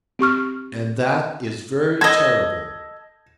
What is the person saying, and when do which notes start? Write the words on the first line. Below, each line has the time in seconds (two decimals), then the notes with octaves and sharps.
And that is very terrible.
0.19 C4 G4 C#6 F6
2.01 A4 D#5 G#6 A#6